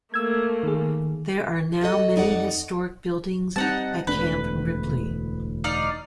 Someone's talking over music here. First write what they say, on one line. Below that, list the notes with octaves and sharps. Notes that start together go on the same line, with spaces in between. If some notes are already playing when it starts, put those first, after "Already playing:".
There are now many historic buildings at Camp Ripley.
A3 A#3 E6 G#6
D#3 G#4
E4 F#4 A4 D#5
F2 D#4 D5 F#5
G3 C4 D#4 F#5 A5
E1 D2 D4 B4
D#4 D5 F5